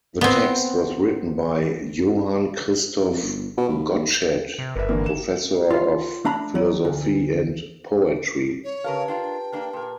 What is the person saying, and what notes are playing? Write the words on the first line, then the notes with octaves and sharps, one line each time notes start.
The text was written by Johann Christoph Gottsched, professor of philosophy and poetry.
B3 C4
F2
G1
B2
D#2
D#2
C3
G1 A#4 B4 E5
D3 E3 A#3
E7
F4
A3 D4 A#5 B5
F#3
D2
C#5
C#3 G4 A#4 B4 F5 A5
D4 F4 A#4 G5
A#3 D4 A#4
A#2 A#4